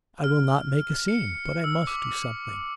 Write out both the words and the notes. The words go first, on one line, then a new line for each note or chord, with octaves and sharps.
'I will not make a scene, but I must do something....
F6
C#7
E6
D6